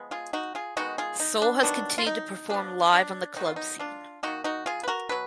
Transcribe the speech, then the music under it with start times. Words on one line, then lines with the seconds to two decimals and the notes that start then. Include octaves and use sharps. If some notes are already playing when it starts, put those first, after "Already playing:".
Soul has continued to perform live on the club scene.
Already playing: F3 G#3 B3
0.11 F4 G#4
0.33 D#4 F#4
0.55 F4 G#4
0.77 D#3 G#3 B3 D#4 F#4
0.98 F4 G#4
1.20 D#4
1.42 D4
1.63 D#3 F#3 B3 D4
1.98 F4
2.06 D#4
2.49 F3 B3 D4
2.93 D4
3.37 D#3 F#3 B3 D#4
3.46 F4
3.56 D#4
3.79 D4 F4
4.23 D#3 A#3 D#4 F#4
4.44 D#4 F#4
4.66 F4 G#4
4.83 B4
4.88 F#4 A#4
5.09 B2 F#3 B4